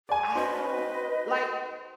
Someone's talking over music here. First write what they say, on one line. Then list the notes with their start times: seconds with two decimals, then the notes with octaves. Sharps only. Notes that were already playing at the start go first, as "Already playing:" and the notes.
I don't like,
0.09 G#4 D5 G#5
0.35 D#4 F#4 B4 C5 D#5